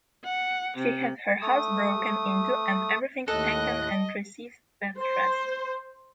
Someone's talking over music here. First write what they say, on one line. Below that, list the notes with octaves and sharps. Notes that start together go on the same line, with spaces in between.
She had had her house broken into and everything taken and received death threats.
F#5
C3
A3 D#6
D#2 A2 A4 D#5 F#6
C5